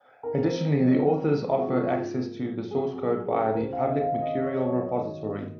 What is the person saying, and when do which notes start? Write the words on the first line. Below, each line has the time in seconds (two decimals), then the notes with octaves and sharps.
Additionally, the author offers access to the source code via a public Mercurial repository.
0.23 D#4 A#4
0.40 C5
0.45 A#4
0.51 C4
0.66 C5
0.79 F3 D#5
0.86 C#5
1.07 C4 A#4
1.35 G#3
1.49 G#4
1.59 F#4
1.63 C#3 F4
1.77 F#4
1.92 G#2 F4
2.18 A#3
2.48 F#3
2.71 G#4
2.75 F2 F#4
2.95 G#4
3.02 F#3 A#4
3.20 G#4
3.30 C#3 A#4
3.54 A#4
3.58 C#2 C5
3.73 F5
3.80 D#5
3.86 D#3
4.01 F5
4.14 C3
4.21 D#5
4.42 C4 C#5
4.53 D#5
4.65 F#3 C#5
4.84 D#5
4.98 D#3
5.26 A#3